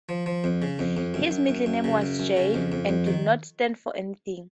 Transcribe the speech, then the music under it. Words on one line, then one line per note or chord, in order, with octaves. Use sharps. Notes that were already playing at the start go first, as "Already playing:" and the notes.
His middle name was "J" and did not stand for anything.
F3
F3
F2
C#3
F2
F2
F#2
F#2
F#2
F#2
C#3
F#2
F#2
C#3
F2
F2
F2
D#3